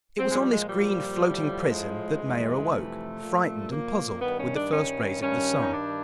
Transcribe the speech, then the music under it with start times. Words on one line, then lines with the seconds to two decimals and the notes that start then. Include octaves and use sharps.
It was on this green floating prison that Maia awoke, frightened and puzzled, with the first rays of the sun.
0.19 A#2 F3 C4
0.31 G#3
0.36 G3
0.53 G#3
0.69 G3
1.20 A2 F3
1.70 G#3
2.21 F2 C3 E3 G3
2.72 A3
3.21 A#2 F3
3.72 A#3
4.21 G2 D#3 G3 B3
4.38 C#4
4.55 D4
4.73 C#4
5.22 G2 D#3 G3 C#4
5.61 D#4
5.73 D4